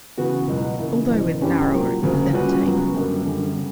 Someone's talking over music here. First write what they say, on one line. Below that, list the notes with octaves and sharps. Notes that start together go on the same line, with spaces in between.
Although with narrower and thinner tape.
C#3 E3 B3 F#4 B4
C#2 B2 F#3 B3
C#3 E3 A#3 E4
F#1 E2 B2
G2 E3 G3 C#4 G4
A#2 F#3 A#3
D2 C#3 F#3 A#3
A#2 G3 C#4 F#4 B4
C#2 C#3 F#3 B3 F#4
F#2 D3 G3 A#3
F#2 D3 G3
C#3